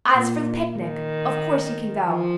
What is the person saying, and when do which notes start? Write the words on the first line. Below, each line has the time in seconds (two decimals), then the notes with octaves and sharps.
As for the picnic, of course you can go.
0.12 A#2
0.76 D#3
2.05 F3